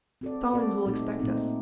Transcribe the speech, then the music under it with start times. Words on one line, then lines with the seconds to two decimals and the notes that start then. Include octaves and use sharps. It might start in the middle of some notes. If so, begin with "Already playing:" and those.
Stallings will expect us.
0.21 C4 F#4 A4 D5
0.53 C4 F#4 A4 D5
0.86 A#2 A3 C4 D#4
1.19 A#2 A3 C4 D#4